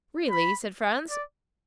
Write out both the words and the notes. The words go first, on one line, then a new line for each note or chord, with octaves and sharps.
"Really?" said Franz.
B5
D5